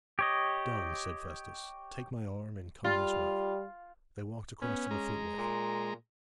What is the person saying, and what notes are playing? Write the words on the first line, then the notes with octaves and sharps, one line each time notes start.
'Done!' said Festus. 'Take my arm and come this way.' They walked across to the footway.
G4 C#5 D#5
G3 F4
B3 C#4
G#3 A#5
A#2